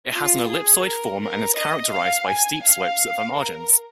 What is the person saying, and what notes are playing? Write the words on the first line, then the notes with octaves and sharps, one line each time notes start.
It has an ellipsoid form and is characterized by steep slopes at the margins.
F4
G#4
A#4
A#4
D#5
F5
G#5
F5
A#4